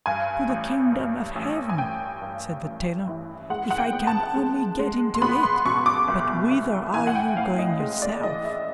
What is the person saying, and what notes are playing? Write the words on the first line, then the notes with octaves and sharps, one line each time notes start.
'To the kingdom of Heaven', said the Tailor, 'if I can only get into it'--'but whither are you going yourself?'
G2 G#5
A1
G2
A1
G#5
A1 G5
G2
A1
E3
G#3 F#5
F#5
G5
B3
A5
G#3
G#3
C6
B3 B5
C6
B2 C#6
D6
C2
C2
E3 G#5
F#5
G5
A2 F5
D#5
G#3
D5
E3 D#5
E5